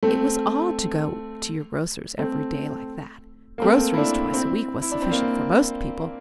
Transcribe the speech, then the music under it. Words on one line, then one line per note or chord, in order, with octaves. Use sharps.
It was odd to go to your grocer's every day like that: groceries twice a week was sufficient for most people.
A3 C4
A3 C4
A#3
A3 C4
E4
A#3 D4
C4 E4
E4
D4
C4
A#3 D4